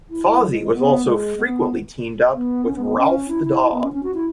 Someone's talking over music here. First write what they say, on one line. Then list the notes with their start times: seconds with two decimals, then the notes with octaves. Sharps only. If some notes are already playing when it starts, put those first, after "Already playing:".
Fozzie was also frequently teamed up with Rowlf the Dog.
0.10 E4
0.26 E4
0.41 F#3
0.52 G#3
0.63 G#3
0.73 B3
1.05 G#3
1.37 B3
2.33 B3
2.65 C#4
2.75 B3
2.86 B3
2.97 C#4
3.28 E4
3.44 E4
3.61 E4
3.71 B3
3.82 C#4
3.92 C#4
4.03 F#4
4.14 E4